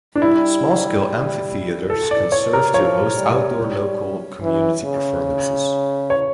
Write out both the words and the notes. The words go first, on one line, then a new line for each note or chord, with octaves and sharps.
Small-scale amphitheatres can serve to host outdoor local community performances.
D4
G3 E4
A4
D5
C#5
A#4
F3 C#5
G3
G3
E3
C#3
C#5